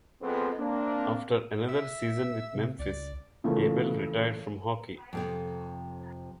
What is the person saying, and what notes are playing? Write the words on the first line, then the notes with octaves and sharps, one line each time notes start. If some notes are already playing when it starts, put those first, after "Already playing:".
After another season with Memphis, Abel retired from hockey.
F2 G#3 B3 C4
A#3 C4 D4
E5
C3
C#2 D5
C#3 E3 F3 A3 A#3
F2 A2 C3